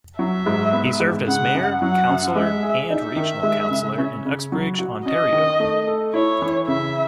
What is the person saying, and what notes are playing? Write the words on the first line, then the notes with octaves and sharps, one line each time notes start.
He served as mayor, councillor and regional councillor in Uxbridge, Ontario.
F#3 E5
G#2
B3
G#2
C#3 F#5
F#2
F#3 F#5
F#2
G#3 E5
G#4
D#4 E5
D#3
G#3
C#3
C#4
C#3
F#3
F#4
C#4 D#5
D#3
A3
A4
E4 C#5
E3
C#3 E5